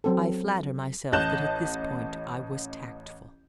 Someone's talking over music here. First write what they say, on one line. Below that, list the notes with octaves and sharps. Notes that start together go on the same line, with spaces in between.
I flatter myself that at this point I was tactful.
F#3 C4 A4
A1 D#5 A5 F#6 G6 E7